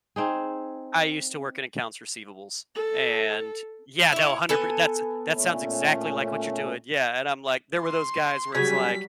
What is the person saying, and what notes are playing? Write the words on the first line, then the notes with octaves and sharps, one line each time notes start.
I used to work in accounts receivables and Yeah, no, a hundred per that's a that sounds exactly like what you're doing, yeah, and I'm like, there were those guys where it's like,
C4 D#4 G#4
A4
E4 C#5
B3 A4 G#5
A#2 A3 C#4
C6
C#3 F#3 G3 G#5 B6